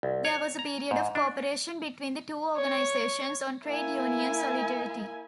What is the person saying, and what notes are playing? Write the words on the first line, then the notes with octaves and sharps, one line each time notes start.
There was a period of cooperation between the two organizations on trade union solidarity.
C2
C#5
A#5
G#2
D4
C#5
A#3 E4 G#5